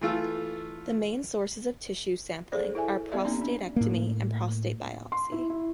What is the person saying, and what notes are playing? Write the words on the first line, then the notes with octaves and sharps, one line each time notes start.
The main sources of tissue sampling are prostatectomy and prostate biopsy.
E3 A3 F4 A4
G#4 A4 C5 D5
E4 A4 E5 G#5
B3 G4 D5 E5
A#3 C4 C#4 D#4
D4
A2 A#3
C6
E4
E4